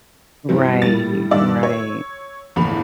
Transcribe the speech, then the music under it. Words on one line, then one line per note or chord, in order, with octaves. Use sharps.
Right, right.
G2 E3 F#3 G3 C4
A2 G3 A6
G2 D#3 D5 E6
C#5
G1 E2 A2 B5 F7